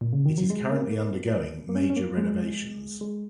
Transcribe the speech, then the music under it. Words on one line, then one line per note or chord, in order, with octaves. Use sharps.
It is currently undergoing major renovations.
A#2
C#3
D#3
F#3
G#3
A#3
A#3
A#3
C#4
C#4
A#3
G#3
G#3